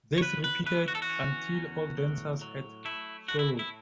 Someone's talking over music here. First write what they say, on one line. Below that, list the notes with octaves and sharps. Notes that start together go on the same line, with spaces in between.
This repeated until all dancers had soloed.
C#5
E2 B4
B4
E3 B4
F#4
A4
F#4
C#4
E2
A2
F#3
A3 E4
A2 F#4
E4
E4